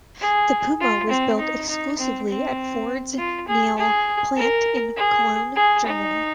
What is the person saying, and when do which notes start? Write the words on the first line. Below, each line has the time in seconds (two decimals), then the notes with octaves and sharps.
The Puma was built exclusively at Ford's Niehl plant in Cologne, Germany.
0.21 G#4
0.80 F4
1.10 C4
1.39 D#4
1.69 D#4
1.99 C4
2.28 C4
3.18 F4
3.48 G#4
3.78 G#4
4.37 A#4
4.96 G#4
5.56 G#4
5.86 D#4